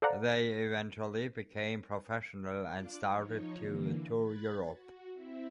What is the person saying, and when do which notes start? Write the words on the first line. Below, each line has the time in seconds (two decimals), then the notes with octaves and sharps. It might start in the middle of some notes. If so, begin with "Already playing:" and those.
They eventually became professional and started to tour Europe.
0.02 A4 C5 D5 F5 F#5 A#5
2.71 D4 F4 F5 D6 F#6
3.10 F3 D#4 C#5
3.55 D3 E3 A#3
4.17 B5 F#6 G#6 A6
4.70 F#4
5.13 C4 E4 E5